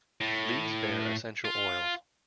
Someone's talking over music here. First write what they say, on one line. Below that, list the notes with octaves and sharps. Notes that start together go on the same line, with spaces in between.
Leaves bear essential oils.
A2
F4